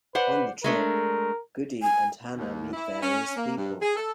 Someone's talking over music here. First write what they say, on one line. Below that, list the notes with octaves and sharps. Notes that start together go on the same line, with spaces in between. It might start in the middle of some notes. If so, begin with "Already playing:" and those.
On the trip, Goody and Hannah meet various people.
B4 C5 D5 F#5
G#3 A3 D4 A#4
G#5
D#2
E4
C#4
A#3
G2
G#4
A4